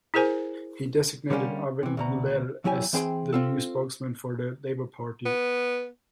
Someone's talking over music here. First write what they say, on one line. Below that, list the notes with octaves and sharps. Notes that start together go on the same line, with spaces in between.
He designated Arvin Boolell as the new spokesman for the Labour Party.
E4 G#4 A#4 C5 G#5
D3 G3 A#3 C#4 G4
C3 E3
D2 B2 A#5
E2 F#3 E4 G4 G#5
E3 C4 G#4 G5 C6
C4 F4 A4
B3